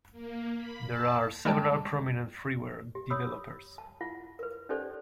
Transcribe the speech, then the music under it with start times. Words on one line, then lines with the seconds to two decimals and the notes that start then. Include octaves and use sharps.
There are several prominent freeware developers.
0.11 A#3
0.55 B5
0.87 A5
1.45 G3 G#3 G5 A5
2.95 G4
3.10 C#5 B5 D#6 E6
3.78 A5
4.01 E4 F4 F#5
4.39 A#4 B4
4.69 C#4 D#4 G4 A4 C5 D5